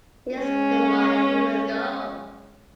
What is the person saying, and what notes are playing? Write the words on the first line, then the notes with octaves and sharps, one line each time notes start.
She is the one who will go.
G#3 C#4